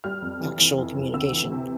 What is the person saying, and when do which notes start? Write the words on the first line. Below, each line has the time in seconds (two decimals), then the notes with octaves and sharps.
actual communication.
0.04 G3 F6
0.22 F2
0.41 E3
0.59 E3
0.78 F2
0.96 F2
1.14 D2 E6
1.32 E3
1.52 C3